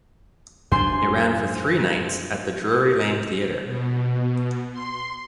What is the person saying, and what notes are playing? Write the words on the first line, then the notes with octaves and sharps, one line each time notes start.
It ran for three nights at the Drury Lane Theatre.
F#2 D4 C5 G#5 C6
B2
C6